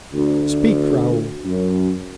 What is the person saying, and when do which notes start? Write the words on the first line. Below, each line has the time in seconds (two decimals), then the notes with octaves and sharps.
"Speak, Raoul."
0.13 D2
1.44 F#2